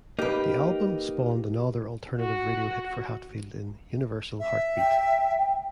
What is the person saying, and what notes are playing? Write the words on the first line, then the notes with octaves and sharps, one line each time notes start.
The album spawned another alternative radio hit for Hatfield in "Universal Heartbeat".
A#3 D#4 G4 B4
F#4
E5
G5